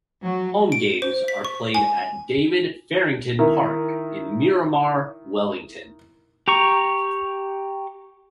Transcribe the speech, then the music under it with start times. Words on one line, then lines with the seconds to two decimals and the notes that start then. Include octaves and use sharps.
Home games are played at David Farrington Park in Miramar, Wellington.
0.23 F#3
0.72 D7
1.02 C5
1.28 B6
1.45 C#6
1.74 G#5
3.39 D#3 E4
6.48 G4 A#5 C#6